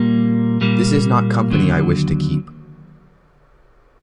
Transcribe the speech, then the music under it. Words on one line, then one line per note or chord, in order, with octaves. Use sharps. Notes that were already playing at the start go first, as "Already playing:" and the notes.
This is not company I wish to keep.
Already playing: A#2 G3 A#3
A#2 G3 A#3
D#2 D3 F#3